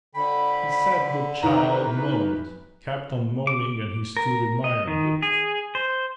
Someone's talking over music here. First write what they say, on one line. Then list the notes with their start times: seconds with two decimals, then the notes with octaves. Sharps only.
He said the child moaned, kept on moaning and he stood admiring it.
0.15 F2 D3 G5 B5
1.43 D#3 E3 B4 A#5
3.47 D6
4.17 A#4
4.64 D#5
4.88 D#3
5.22 G#4
5.75 C5